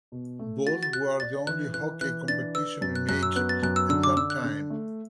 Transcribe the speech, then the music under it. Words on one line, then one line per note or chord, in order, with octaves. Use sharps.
Both were the only hockey competition in Egypt at that time.
B2
A3
F#4 A6
A6
F#4 F#6
D5 A6
E3 F#6
E3 F#6
E3 F#6
D4 A6
B4 E6
F#2 A6
F#6
F#2 F#6
E6
B3 F#6
A6
F#2 F#6
E6
D3 E6
D6
D3 E6
F#6
D3
A3